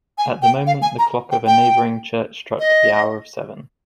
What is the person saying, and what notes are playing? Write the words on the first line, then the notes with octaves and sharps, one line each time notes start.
At the moment the clock of a neighbouring church struck the hour of seven.
G#5
G5
F5
G#5
A#5
G5
G5
D#5